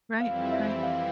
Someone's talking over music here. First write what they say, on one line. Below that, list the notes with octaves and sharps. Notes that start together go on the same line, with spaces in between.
Right, right.
F2 E3 G3 C4 E4 F5
E5
F5